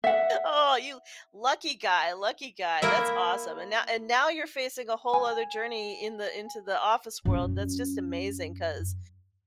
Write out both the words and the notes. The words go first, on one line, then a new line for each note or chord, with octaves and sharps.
Oh, you lucky guy, lucky guy, that's awesome, and now and now you're facing a whole other journey in the into the office world, that's just amazing 'cause,
E5 F#5
A#3 E4 A#4 E5
G#5
F#2 C#4